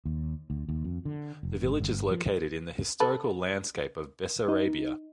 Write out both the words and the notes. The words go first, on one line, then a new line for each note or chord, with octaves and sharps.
The village is located in the historical landscape of Bessarabia.
D#2
D2
D#2
F2
D3
F1
G#1
G1
F3
A4 B4
D#4